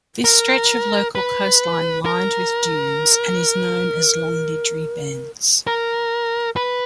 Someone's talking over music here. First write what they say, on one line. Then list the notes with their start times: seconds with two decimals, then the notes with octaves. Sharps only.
This stretch of local coastline lined with dunes and is known as Longniddry Bents.
0.25 A#4
1.15 B4
2.06 A#4
5.67 A#4
6.56 B4